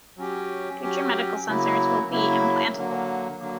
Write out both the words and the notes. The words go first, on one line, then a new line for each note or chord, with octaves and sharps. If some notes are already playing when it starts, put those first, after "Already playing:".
Future medical sensors will be implantable.
F#3 C#4 G4
F#3 C#4 G4
C#3 F#3 A#3 E4
C#3 F#3 A#3 E4
D3 F#3 A#3
D3 F#3 A#3